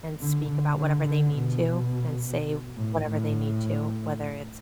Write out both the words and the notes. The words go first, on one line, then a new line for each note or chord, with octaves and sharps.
and speak about whatever they need to and say whatever they need to, whether it's,
D3
D3
D3
D3
B2
A2
A2